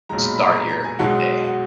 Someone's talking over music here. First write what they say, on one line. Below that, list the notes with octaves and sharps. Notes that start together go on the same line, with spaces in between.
start your your day.
B1 A#2 G#3 A#5
B5
B5
A#5
A#5
A#5
G#5
B1 B2 G#3 F#5
F#5